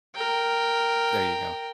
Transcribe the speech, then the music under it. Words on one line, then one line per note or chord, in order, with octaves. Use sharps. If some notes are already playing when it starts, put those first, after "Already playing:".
There you go.
A#4 G5